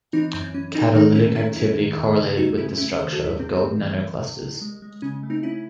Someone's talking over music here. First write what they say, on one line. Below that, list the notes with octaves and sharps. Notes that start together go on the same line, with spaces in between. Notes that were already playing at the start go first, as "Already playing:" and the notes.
Catalytic activity correlated with the structure of gold nanoclusters.
E3 C4 D#4
F#2 C4
E3 C#4
G#2 C4 D#4
D#3 C4 D#4
A3 C#4 E4
D#3 C#4 E4
F#2 C#4 E4
D#3
E2
C#3
A3 D#4 F#4
C#3 C#4 E4
A3 C#4 E4
D#3 G#4 C5
F#4 A4
D#2
E4 G#4
C3 C4
A3
E3
G#2
C3
C2
G#3
G#3
C#3 C#4
A3
C4 D#4
C#3 C#4 E4